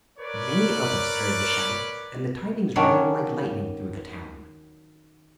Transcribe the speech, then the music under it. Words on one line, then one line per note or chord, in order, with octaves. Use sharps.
Many others heard the shout, and the tidings ran like lightning through the town.
A#4 B4 C#5 D5
D#3 F#3 C#4 D4 C#5 D5